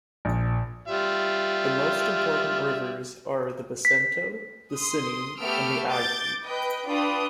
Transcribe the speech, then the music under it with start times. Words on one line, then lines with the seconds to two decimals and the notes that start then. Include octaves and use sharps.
The most important rivers are the Basento, the Sinni, and the Agri.
0.25 A#1
0.88 G3 F4 E5
3.85 B6
4.74 C6 D#6
5.40 A3 B3 G4 E6 F6 D7
5.90 D6 G6 A6
6.45 B4 D#5 G5
6.87 D4 F4 B4 G5 D#6